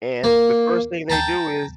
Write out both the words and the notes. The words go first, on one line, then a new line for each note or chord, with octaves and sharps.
and the first thing they do is
A#3
G5 A5 A#5